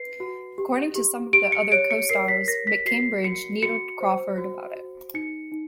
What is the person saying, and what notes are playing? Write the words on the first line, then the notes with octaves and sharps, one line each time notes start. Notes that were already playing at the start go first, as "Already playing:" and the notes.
According to some of the other co-stars, McCambridge needled Crawford about it.
Already playing: B4 C7
F#4
G4
G4
G4 D7
C#7
C#5 D7
C#7
A#4 C7
B6
A#4 A#6
B6
F#4 C7
F#4 C#7
F#4 C#7
C5
F#4
F#4
D#4 C#7
D#4